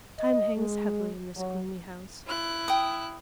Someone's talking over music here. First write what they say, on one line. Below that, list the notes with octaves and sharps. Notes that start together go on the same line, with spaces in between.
Time hangs heavily in this gloomy house.
D#5
G#3
F#3
E4 F#6
G5 D#6